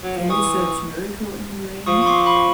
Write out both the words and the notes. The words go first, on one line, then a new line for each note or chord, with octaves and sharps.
Can you search Miracle in the Rain?
F#3
F3
E3 C#6 D#6
F3 C#6 D#6
C#6
C6 D6
B5 C#6